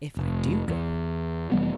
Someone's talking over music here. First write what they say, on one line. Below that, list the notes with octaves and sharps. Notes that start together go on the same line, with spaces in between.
"If I do go."
F1
E2
F1 E3 G3 B3